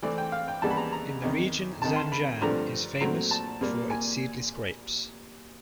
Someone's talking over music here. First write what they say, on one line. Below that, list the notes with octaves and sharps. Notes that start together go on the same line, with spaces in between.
In the region Zanjan is famous for its seedless grapes.
C3 E3 A3 C4 D5
G5
F5
G5
D#2 C#3 E3 G3 B3 A5
B5
A#5
A#5
E2 C3 D#3
C2 C3 D#3 A5
C6
B5
G2 D3 F3 A3 C4 A#5
A#2 F#3 A3 C4 A#5
A5
A#2 G3 A#3
G#5